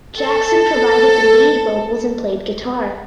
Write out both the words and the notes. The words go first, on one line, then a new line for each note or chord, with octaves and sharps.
Jackson provided the lead vocals and played guitar.
A4